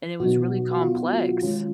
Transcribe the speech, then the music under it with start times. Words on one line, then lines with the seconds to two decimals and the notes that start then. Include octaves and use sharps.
and it was really complex.
0.20 B2 F#3 B3 D#4 F#4
0.71 F#4
0.82 F4
1.43 D#3 G#3 C#4 F4